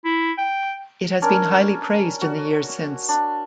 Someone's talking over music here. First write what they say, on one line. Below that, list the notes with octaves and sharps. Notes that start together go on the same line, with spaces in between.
It has been highly praised in the years since.
E4
G5
C#4 D4 A#4
F#4
D4